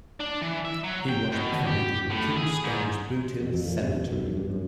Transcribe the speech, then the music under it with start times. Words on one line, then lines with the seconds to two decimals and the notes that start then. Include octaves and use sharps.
He was buried in Tombstone's Boothill Cemetery.
0.20 D4
0.42 E3
0.65 E5
0.84 F#3
1.09 G5
1.32 B2
1.66 G4
2.10 A2
2.36 G#4
2.64 G#2
3.42 F2
3.54 F2
3.68 A#2
3.82 C3
3.96 B2
4.13 B1
4.25 F#2
4.37 G2
4.50 F#2